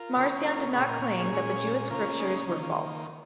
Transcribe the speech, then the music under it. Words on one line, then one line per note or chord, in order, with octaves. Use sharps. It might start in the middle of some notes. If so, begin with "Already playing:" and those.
Marcion did not claim that the Jewish scriptures were false.
Already playing: F4 A#4
C#3 A#3 C#4
F4 A#4
A#2 A#3 C#4 G#4 C#5
A#4 D#5
C#5 F5
G#4 C#5
A#2 G#3 C#4
C#3 A#3 C#4 F4 A#4
D#4 G#4
D#3 A#3 C#4 D#4
C#4 F4